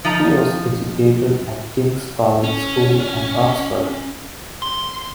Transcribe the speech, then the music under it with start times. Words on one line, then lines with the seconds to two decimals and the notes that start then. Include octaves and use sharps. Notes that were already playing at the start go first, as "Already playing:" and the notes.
He was educated at King's College School and Oxford.
0.05 F3 D#4 A#5
2.44 C#4
4.62 C6